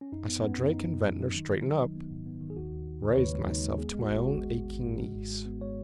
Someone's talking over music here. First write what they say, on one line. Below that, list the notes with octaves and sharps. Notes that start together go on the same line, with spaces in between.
I saw Drake and Ventnor straighten up; raised myself to my own aching knees.
C#4
F#2 D#4
B3
B3 C#4
F#2
B3 D#4
F#2
F#3
F#3
D#3
D#3
F#3
F#3
B3
G#2
B3
D#3
G#4
D#2 F#4
D#2
D#2
C#3
C#5
D#2 B4
G#3
D#2 D#4
G#3
B3 G#4
G#3
F#4
G#1
F#4
G#1
G#3
G#3
G#1
G#2
G#3
G#1
G#3
B3
G#3 C#5